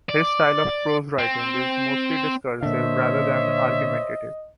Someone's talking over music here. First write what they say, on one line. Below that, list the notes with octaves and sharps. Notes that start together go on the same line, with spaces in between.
His style of prose writing is mostly discursive rather than argumentative.
D5
C4
A#2 D3 C5 C#5 D#5 E5